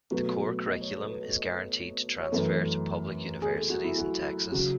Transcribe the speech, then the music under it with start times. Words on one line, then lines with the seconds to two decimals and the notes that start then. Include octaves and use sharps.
The Core Curriculum is guaranteed to transfer to public universities in Texas.
0.11 B2 F#3 A3 B4
0.67 D#5
0.81 C#5
0.97 A4
1.07 B4
1.21 A4
2.20 C#5
2.32 F#2 E3 A3 B4
3.42 G#4
3.50 A4
3.56 G#4
3.70 F#4
3.84 E4
3.98 F#4
4.52 C#3 F#3 F#4